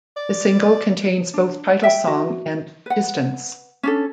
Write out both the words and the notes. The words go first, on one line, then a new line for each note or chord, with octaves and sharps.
The single contains both title song and "Distance".
D5
D4
E5 G5
F#4
B4 F#5
C#4 D4 A4